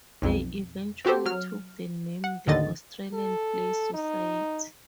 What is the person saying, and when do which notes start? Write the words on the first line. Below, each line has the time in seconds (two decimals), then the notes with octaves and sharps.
They eventually took the name the Australian Play Society.
0.22 B1 F2
1.05 C4 F#4 G4 A4 C5
1.25 F#3 F6
2.24 F#5
2.47 A1 D#2 D3 D#3 D#5 A6
3.14 A4
3.94 D#4